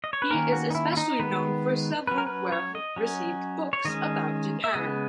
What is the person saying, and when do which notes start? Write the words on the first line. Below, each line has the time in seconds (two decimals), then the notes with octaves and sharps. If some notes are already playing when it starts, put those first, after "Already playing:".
He is especially known for several well-received books about Japan.
0.04 D#5
0.13 C#5
0.22 B4
0.30 D#3 A#3 C#4 A#4
0.52 F#4
0.70 D#4
0.75 E4
0.93 E4
0.97 D#4
1.19 D#3 G#3 B3 B4
2.07 F#3 C#4 B4
2.18 A#4
2.27 B4
2.52 C#5
2.75 D#5
2.96 F#3 C#4
3.73 C#5
3.85 D#3 G#3 C#4 D#5
4.64 E5
4.73 C#3 G#3 B3 D#5